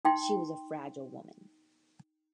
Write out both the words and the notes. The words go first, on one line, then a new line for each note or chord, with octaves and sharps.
She was a fragile woman.
D#4 G5 C6